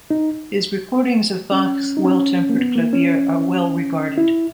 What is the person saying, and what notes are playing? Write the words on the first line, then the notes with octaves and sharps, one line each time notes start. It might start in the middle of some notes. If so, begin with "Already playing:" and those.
His recordings of Bach's Well Tempered Clavier are well regarded.
D#4
C#4
D#4
C#4
A#3
B3
A#3
C#4
E4